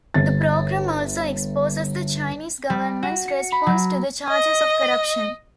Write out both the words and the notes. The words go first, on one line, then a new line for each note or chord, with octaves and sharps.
The programme also exposes the Chinese Government's response to the charges of corruption.
G1 A6
G3
F#4
C#7
B5
F#3
D#5